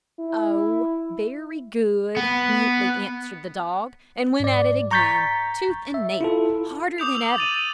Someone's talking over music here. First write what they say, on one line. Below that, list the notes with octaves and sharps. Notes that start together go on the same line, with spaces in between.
"Oh! very good," mutely answered the dog, and went at it again, tooth and nail, harder than ever.
E4
B3
G#2 D5
A#5 C#6 G6 A6 B6
E5
E4 F4 A4
D6 D#6 G6 F7
E6
A6 D#7 F#7
D#7